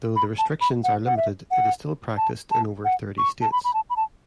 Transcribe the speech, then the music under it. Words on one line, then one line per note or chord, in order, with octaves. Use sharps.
Though the restrictions are limited, it is still practiced in over thirty states.
B5
A5
B5
F#5
F#5
E5
F#5
A5
A5
F#5
C#6
A5
B5
B5
A5
B5
A5